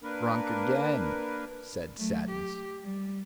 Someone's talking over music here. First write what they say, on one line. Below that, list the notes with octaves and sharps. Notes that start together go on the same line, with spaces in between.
"Drunk again," said Sadness.
A#3 D4 A#4 B4
F#3 A3
G4
G3